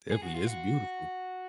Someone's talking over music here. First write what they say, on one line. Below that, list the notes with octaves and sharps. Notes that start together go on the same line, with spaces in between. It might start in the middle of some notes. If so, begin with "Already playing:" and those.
definitely it's beautiful,
G#4
F#4
F4
F#4